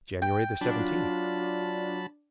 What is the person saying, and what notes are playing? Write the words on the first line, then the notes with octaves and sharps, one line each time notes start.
"January the seventeenth."
G5
F#3 D4 F4 A5 B5